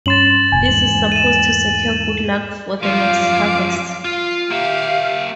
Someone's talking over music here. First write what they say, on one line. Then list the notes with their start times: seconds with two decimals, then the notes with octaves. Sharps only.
This is supposed to secure good luck for the next harvest.
0.06 G2 C#4 C6 A6 E7 F#7
0.52 F1 A#2 G#5
0.66 E2 G#2 F#7
1.12 D#7 E7
2.83 F#2 F3 F5 D6
4.04 F4
4.51 A#3 G4 E5 F5